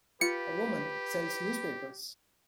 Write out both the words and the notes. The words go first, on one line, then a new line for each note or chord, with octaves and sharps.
A woman sells newspapers.
F4 G4 B4 C#7